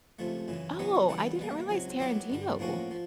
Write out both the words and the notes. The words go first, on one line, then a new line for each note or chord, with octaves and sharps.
Oh, I didn't realize Tarantino,
C#2 C3 F3 A3
F#2 C#3 E3
C#2 B2 F#3 B3 D#4
C#3 E3 G3 B3 E4
B2 G3 A#3
C#2 C3 D#3 F#3
D#3 F#3 B3 E4 G4
G2 D3 G3
A2 F3 A#3 C#4 F#4
F3